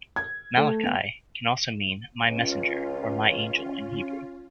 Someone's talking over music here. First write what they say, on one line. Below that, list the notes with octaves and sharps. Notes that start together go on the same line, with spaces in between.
Malachi can also mean "my messenger" or "my angel" in Hebrew.
G#6
A3
B3
C#2 C#4 F4